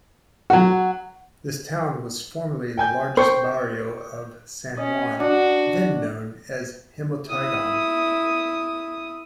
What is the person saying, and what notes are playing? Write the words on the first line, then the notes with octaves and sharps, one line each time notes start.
This town was formerly the largest barrio of San Juan, then known as "Himatagon".
F#3 F#4 F#5
G5 G#5 G6
C5 G5 C#6 G6
C#4 D#5
D4 F#4 F#5
E4 D#6